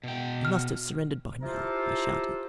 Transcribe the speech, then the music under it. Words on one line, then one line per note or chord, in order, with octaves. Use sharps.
"It must have surrendered by now," I shouted.
B2 G5
F6
E4 F4 G4 A4 A#4 C5